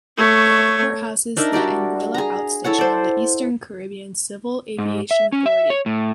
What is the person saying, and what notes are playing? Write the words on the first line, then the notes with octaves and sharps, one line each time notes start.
The airport houses the Anguilla Outstation of the Eastern Caribbean Civil Aviation Authority.
A3 C#5
D4 D#4 A#4 E5
G3 F#4 G4 D5
G#4 A#5
E4 A4 C#5 F#5
C5 D5
G#2
E5
C#4
E5
C#5
A2